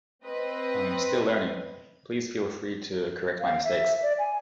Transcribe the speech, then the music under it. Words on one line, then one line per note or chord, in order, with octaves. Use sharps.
I'm still learning; please feel free to correct my mistakes.
C4 B4 D#5
F5
E5
D5
G#5